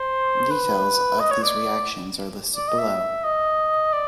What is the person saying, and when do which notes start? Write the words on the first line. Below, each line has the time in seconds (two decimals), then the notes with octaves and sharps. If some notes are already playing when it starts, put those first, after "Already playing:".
Details of these reactions are listed below.
Already playing: C5
0.51 B4
1.20 D#5
1.31 C#5
1.43 D5
2.56 D5
2.68 D#5
2.79 E5
3.24 D#5
3.93 D5